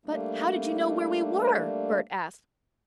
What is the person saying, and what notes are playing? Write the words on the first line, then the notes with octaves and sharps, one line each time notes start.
"But how did you know where we were?" Bert asked.
G3 A3 A#3 D4